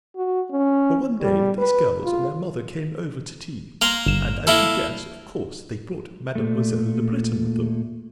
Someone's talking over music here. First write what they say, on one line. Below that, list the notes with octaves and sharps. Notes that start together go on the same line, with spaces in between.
Well, one day these girls and their mother came over to tea, and, as you guess, of course, they brought Mademoiselle Le Breton with them.
F#4
C#4
G3
B4
F4
A#3 A#5 C6
G1 E7
A#3 E4 A4
A#2 A3